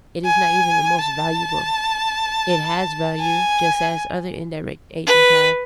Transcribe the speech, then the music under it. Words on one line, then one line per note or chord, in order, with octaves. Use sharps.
It is not even the most "valuable"; it has value just as other indirect agents have.
G#5
A5
G#5
B4